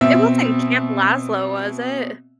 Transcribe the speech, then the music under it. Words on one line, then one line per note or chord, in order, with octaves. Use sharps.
It wasn't Camp Laszlo, was it?
B2 C4 E5